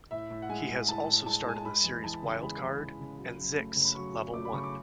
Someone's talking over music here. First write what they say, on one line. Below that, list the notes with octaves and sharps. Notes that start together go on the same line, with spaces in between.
He has also starred in the series "Wild Card" and "Zixx: Level One".
A2 E5
A2
F#5
G#3 G#5
G#3
A2 A5
A2
G#3 A5
G#3 G#5
A5
G#3 B5
E2
E2 A5
C#3
G#3 B5
E2
E2
C#3
F#3
F#2
A3
C#3
B5
F#3 C#6
F#2
A3 D6
B5
C#3 C#6
D6